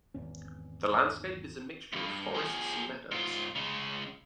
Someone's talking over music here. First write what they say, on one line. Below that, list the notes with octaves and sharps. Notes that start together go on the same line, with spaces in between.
The landscape is a mixture of forests and meadows.
G#1 E2 C#4
D2 G2
F3 G#4
G#2 F4
C#3 G#3